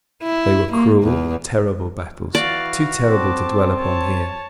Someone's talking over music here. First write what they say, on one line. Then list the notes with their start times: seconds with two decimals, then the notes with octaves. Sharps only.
They were cruel, terrible battles, too terrible to dwell upon here.
0.23 E4
0.72 A#3
1.02 E2
2.35 E3 F#4 D5 F5
3.10 C4 A5 D6
3.79 C#5 A5